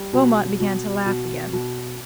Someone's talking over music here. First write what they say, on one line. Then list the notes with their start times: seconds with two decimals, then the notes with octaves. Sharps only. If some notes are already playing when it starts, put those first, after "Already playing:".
Beaumont began to laugh again.
Already playing: G3
0.13 B2
0.60 B2
1.06 B2
1.53 B2